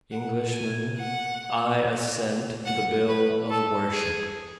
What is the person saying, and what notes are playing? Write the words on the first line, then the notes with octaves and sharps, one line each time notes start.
"Englishmen, I assent to the Bill of Worship."
F#5
G#5
F#5
F#5
B4
A4
G#4